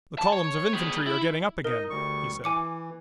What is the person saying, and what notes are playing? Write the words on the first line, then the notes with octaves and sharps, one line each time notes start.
"The columns of infantry are getting up again," he said.
A5
C#5
G3 G#4
E4
D#4 A#4 D#5
D2 G3 C#6
E3 G#5 D6 C#7